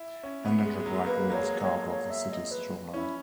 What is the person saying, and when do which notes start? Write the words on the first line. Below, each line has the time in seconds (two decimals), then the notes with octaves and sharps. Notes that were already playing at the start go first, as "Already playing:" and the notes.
Endangered right whales calve off the city's shoreline.
Already playing: E4
0.23 C#4
0.45 B3
0.65 G#3
0.80 G#3
0.86 F#3
1.06 A#3 B4
1.19 G#3
1.30 F#3 C#5
1.42 G#3
1.62 C#5
1.90 C#5
2.10 E5
2.31 D#5
2.51 B4
2.93 C#4 E4